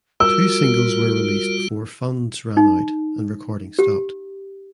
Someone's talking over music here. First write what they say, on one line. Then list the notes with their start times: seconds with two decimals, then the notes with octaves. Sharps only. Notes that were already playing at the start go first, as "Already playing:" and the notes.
Two singles were released before funds ran out and recording stopped.
0.20 G3 F4 F#4 A#4 E6
2.57 D#4
3.79 G4